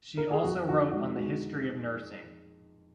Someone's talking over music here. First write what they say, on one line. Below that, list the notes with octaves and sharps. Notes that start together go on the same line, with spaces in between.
She also wrote on the history of nursing.
A#4
G#4
F2 F#4
D#4 F#4
G#3 F#4
G#3 F#4